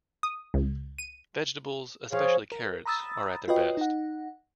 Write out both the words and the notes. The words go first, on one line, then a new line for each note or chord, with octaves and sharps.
Vegetables, especially carrots, are at their best.
D#6
C#2
D#7
F3 G#4 C#5 F5
A#4
A#5 B5 D#6 E6 A6
F4 F#4 B4 C#5 D#5 G5
D#4 F#5